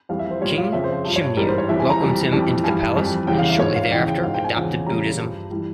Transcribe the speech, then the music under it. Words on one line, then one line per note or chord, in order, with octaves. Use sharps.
King Chimnyu welcomed him into the palace, and shortly thereafter adopted Buddhism.
F2 E3 G3 F5
E5
C5
A#2 G3 C#5
F5
F2 C#3 F3 E5
C5
G2 F3
C#5
G#2 E3 G3 A#4
C5
C#5
F2 E3 G3 E5
G#5
A#5
F2 E3 G3
F2 E3 G3
G2 E3 G3 G#5
F2 E3 G3
E2 C#3 E3 G3 G5
F5
E5
G#2 F3 C#5
F5
E2 C#3 E3 G5
G5
G#2 F3 F5
G5
G#5
E2 C#3 F3
E2 C#3 G3 A#5
G2 F3
E3 G3